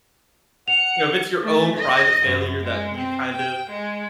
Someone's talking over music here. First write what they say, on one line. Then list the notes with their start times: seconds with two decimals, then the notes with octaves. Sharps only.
you know, if it's your own private failure that you kind of
0.68 F#5 C#7 F7
1.43 A3
1.76 D#5
2.26 F#2
2.61 G#3
2.95 C4
3.33 G5
3.70 G#3